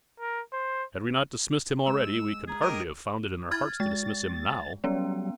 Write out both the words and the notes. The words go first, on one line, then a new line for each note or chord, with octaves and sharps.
Had we not dismissed him already, we could hardly have found it in our hearts to dismiss him now.
A#4
C5
G#3 E6
G#4 A#5 G#6
G4 A#4 D#5
E4 F6 G#6 A6
G#3 A6
F#3 G3 B3 C#4